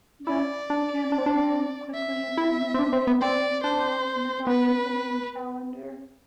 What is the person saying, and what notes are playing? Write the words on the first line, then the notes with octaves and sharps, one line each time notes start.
Thus, Canadair quickly abandoned the name "LearStar" and adopted the name "Challenger".
E4 D5
D4
D4
C4
D4
E5
E4
C4
D4
C4
B3
C4 D5
D4 C5
B3 B4